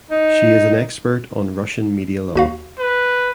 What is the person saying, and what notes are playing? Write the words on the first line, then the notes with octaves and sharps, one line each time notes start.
She is an expert on Russian media law.
D#4
D#2 F#4 F5
B4